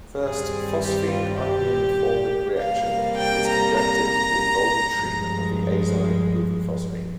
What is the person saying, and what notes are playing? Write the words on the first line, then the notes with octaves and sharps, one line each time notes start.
First phosphine imine-forming reaction is conducted involving treatment of the azide with the phosphine.
G2 D#3 G3 C4 G#4
G4
F4
G4
C3 G3 A#3 F5
G5
A#5
A#5
G2 F3 G#3